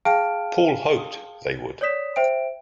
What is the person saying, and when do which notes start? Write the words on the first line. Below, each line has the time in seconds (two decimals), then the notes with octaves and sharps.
Paul hoped they would.
0.05 G#4 F5 G5 A5 F6 D7
1.81 C#5 D5 D#6 B6 E7
2.16 C5 E5 G5 D7